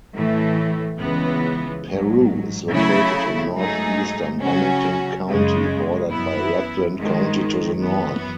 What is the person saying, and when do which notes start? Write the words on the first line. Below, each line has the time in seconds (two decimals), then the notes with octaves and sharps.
Peru is located in northeastern Bennington County, bordered by Rutland County to the north.
0.14 A2 E3 A3
1.00 C#2 C#3 E3 B3
1.85 A1 G#2 F#3
2.71 C#3 F#3 A3 E4
3.56 G#2 F#3 A3 D#4 G#4
4.40 C#3 F#3 C#4 F#4
5.27 F#2 C#3 G#3
6.11 F#2 E3 B3 E4
6.96 G#2 D#3 G#3
7.81 F#2 E3 B3